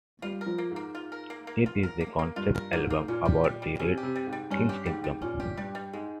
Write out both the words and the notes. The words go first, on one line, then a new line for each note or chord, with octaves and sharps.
It is a concept album about the Red King's kingdom.
G3 F4
A#4
F3
A#3
G#2
A#3
F4
A#4
A#3
A#3
F4
A#4
A#3
A#3
G2 F4
A#4
G#2 A#3
A#3
A#2 C#4
G4
G3
G3
C3 C#4
G4
C3
G3
G#2
G3
G2 C#4
G4
G#2 G3
G3
A#2 C#4
G4
G2 G3
G3
G#2 G#3